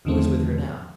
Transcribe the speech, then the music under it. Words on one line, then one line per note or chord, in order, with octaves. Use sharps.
"Who is with her now?"
E2 D3 D#3 F3 A3 C4